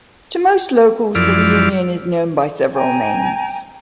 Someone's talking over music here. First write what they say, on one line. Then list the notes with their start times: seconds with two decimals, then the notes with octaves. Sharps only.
To most locals, the reunion is known by several names.
1.15 F#2 F3 E4 D5 F6
2.74 G5 G#5 A#5